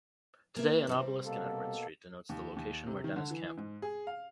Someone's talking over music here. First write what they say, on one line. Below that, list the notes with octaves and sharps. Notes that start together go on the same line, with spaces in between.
Today an obelisk in Edward Street denotes the location where Dennis camped.
E3 A#3 E5
C3 G3 C4
B2 A#3 A4
D#2
D#2
C3
D#3
D3
E3
G#2
G#4
F5